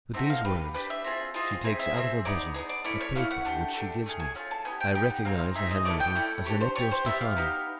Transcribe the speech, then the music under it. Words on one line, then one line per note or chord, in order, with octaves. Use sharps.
With these words, she takes out of her bosom a paper which she gives me; I recognize the handwriting of Zanetto Steffani.
C4 D#4 F#4 A4 E5
F5
D4 G4 B4
D4 G4 B4
E5
C4 F4 G#4
C4 F4 G#4 D#5
C4 D#4 G#4 E5
E5
C4 D#4 G#4
B3 D#4 G#4 D5
B3 D#4 G#4
D5
A3 C#4 E4 D5
C#5
A3 C#4 E4 F5
F#5
A3 D4 G4
A3 D4 G4
A3 C#4 F4 G#4
G#5
A3 C#4 F4 G#4
A5
B3 D#4 G4 G#5
G5
B3 D#4 G4 G5
F#5
C4 D#4 G#4 F5
C4 D#4 G#4 E5
D#5
A3 C#4 E4 A4 D5
G5
A3 C#4 E4 A4
D4 G4 C#5
C5
D4 G4 C#5
C5
B3 D#4 G4 E5
F5
B3 D#4 G4